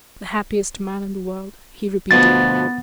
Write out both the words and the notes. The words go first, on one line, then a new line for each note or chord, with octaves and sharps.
"The happiest man in the world," he repeated.
D2 B2 F3 B3 A6